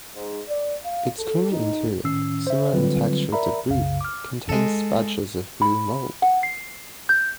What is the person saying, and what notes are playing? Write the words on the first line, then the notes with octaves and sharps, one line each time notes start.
Its creamy interior, similar in texture to Brie, contains patches of blue mold.
G#2
D5
F5
A4
D#4
A2 D#3 C#4 E6 C7
C5 E5
D3 F#3 G3 C4 F4 B4
A#4 D5 E5 A#5 B5
C2 F#2 C#3 F5
D6 F6
G#3 A4
B5
F#5
C7
G6